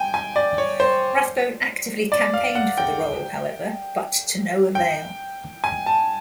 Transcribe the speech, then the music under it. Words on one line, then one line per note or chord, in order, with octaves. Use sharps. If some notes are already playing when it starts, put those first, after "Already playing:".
Rathbone actively campaigned for the role, however, but to no avail.
Already playing: G5 G#5
G#5
D5
C#5
C5
D5
F5
F#5
G5
G5
G#5
A5